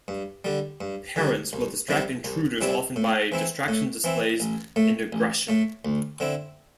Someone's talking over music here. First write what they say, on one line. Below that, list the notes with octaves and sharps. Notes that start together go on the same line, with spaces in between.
Parents will distract intruders often by distraction displays and aggression.
G2
D3 G3
G2
D3 G3
C2
C3 G3 C4 E4
C2
C3 G3 C4 E4
A2
E3 C4 E4
A2
E3 C4 E4
A1
A2 A3
A1
A2 A3
D2
D3 C4 E4